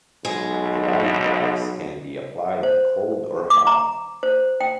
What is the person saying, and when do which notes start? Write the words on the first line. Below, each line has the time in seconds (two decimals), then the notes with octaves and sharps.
Glide wax can be applied cold or hot.
0.25 B1 G#3
2.63 C5
3.50 D6
3.67 A#5
4.23 C5
4.61 G5